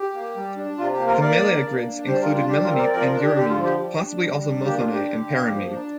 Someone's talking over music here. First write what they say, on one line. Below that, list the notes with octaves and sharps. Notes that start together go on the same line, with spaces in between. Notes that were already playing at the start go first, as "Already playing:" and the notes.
The Meleagrids included Melanippe and Eurymede, possibly also Mothone and Perimede.
Already playing: G4
A#3
G3
D4
C3 F4
G4
A#3
F4 A#4
A#3 A#4 D5
D4
A#3
D4
G3 G4 C5
F4 A#4
D4
F4
G3 G4
F4 A#4
C4
A#4 D5
F3 A#4 D5
F4 A#4
D4
G4
D3 G4
F4
F3
G4
G3
D4
G3
D4
A#3 G4
F4
D4
G4
D3
A#3
F3
D4